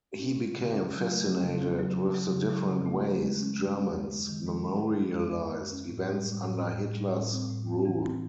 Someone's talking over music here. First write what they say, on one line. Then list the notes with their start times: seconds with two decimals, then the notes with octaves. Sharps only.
He became fascinated with the different ways Germans memorialized events under Hitler's rule.
0.19 C#4
0.37 C#4
0.54 C#3
0.72 C#4
0.90 F#3
1.08 A3
1.25 F#3
1.43 C#3
1.61 C#4
1.79 F#3
1.97 C#4
2.15 F#3
2.33 C#3
2.50 F#3
2.68 C#3
2.86 A3
3.04 G#3
3.22 G#3
3.40 C#4
3.57 G#3
3.75 C#4
3.93 F#2
4.11 G#3
4.29 D#3
4.47 G#3
4.64 G#3
4.82 G#3
5.00 G#3
5.18 F#2
5.36 F#2
5.53 F#2
5.72 C#4
5.89 A2
6.07 G3
6.25 A2
6.43 A2
6.60 C4
6.78 A2
6.97 G3
7.15 A2
7.32 C4
7.49 A2
7.68 C4
7.85 E3
8.03 C4